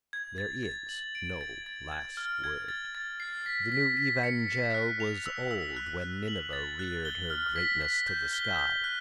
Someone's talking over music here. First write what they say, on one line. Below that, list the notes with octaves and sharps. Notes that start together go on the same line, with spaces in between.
There is no last word. The new evangel was old when Nineveh reared her greatness to the sky.
G#6
A6
A6
F#7
D7
A6
A6
G#6
F6
G#6
A6
A6
C7
B6
B6
B6
C#7
C#7
F#6
F7
E6
E6
F#6
F#6
F#7
A6
F#6
G7
F6
B6
B6
G6
G7
G7
F#6